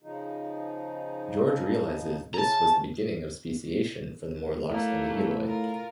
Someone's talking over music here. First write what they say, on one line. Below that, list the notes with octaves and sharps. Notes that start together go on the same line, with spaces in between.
George realises this was the beginning of speciation for the Morlocks and the Eloi.
C#3 F3 D#4
C#3 C#4 A5 A#5
A2 A3 A#3
F4 A#4